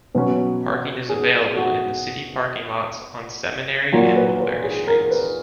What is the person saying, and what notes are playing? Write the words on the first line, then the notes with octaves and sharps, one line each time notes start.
Parking is available in the city parking lots on Seminary and Mulberry Streets.
B2 F#3 C#4 B4
G#4
F#4
A#2 F#3 A#3 F4
B4
B4
G#4
A#4
B4